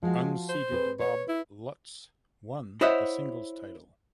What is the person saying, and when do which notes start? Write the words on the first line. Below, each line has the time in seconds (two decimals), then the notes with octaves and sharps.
Unseeded Bob Lutz won the singles title.
0.03 F3 G#3 F#4
0.49 C5
0.71 C4 G#4 B4
1.00 B4 C#5
1.28 E4
2.81 E4 C5 C#5 D#5 E5 F#5